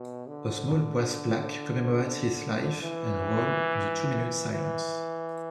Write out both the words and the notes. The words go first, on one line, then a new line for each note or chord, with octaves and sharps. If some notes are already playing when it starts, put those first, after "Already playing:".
A small brass plaque commemorates his life and role in the two minutes silence.
Already playing: B2
D3
E3
E3